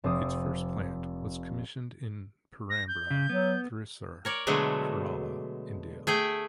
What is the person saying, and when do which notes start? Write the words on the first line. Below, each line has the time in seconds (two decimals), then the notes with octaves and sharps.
Its first plant was commissioned in Perambra, Thrissur, Kerala, India.
0.04 F1 C4 D6 D#6
2.69 A#6
2.88 G6
3.10 C#3
3.30 F#3 B3
4.25 A#4 C#5 D5
4.47 B2 D3 F#3 G#3 A3
6.07 A3 G#4 G5